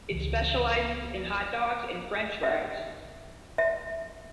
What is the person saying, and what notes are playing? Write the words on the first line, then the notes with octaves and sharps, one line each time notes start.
It specializes in hot dogs and french fries.
C#2 E3
E5
E5